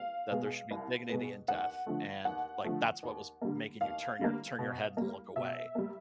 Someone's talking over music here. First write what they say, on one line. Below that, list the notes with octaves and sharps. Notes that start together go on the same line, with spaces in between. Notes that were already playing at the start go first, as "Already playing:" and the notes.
that there should be dignity in death, and, like, that's what was making you turn your turn your head and look away."
Already playing: F5
B2 G#3 B3
C2
B2 G#3 B3
D#2 F#5
D3 F3 A3
D#2 F#5
D3 F3 A3
D#2
D3 G3 A#3
D#2 F5
D3 G3 A#3
B2
G3 A#3
B2 E5
G3 A#3